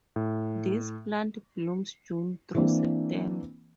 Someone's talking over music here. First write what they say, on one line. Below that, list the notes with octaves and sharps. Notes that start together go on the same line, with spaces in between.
This plant blooms June through September.
A2
E3 A#3 C4 D4